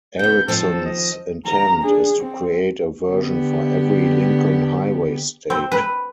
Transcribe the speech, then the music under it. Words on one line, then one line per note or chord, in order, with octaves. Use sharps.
Erickson's intent is to create a version for every Lincoln Highway state.
C#3 B3 G6
D#2 F3 C4 A4
D#5
A#4 A#5
D4 G#4
C4
D3 B3 G4
C4
B4